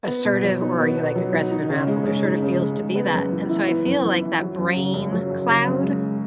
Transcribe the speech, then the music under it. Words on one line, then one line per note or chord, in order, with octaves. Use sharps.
assertive or are you, like, aggressive and wrathful? There sort of feels to be that. And so I feel like that brain cloud,
B3
B2
F#3
D#4
B3
B2
F#3
D#4
D#4
C#3
G#3
C#3
D#4
C#3
G#3
C#3
B3
F#2
E3
E4
B3
F#2
E3
E4
F#3
F#2
C#3
F#2
F#3
F#2
C#3
F#2
G#3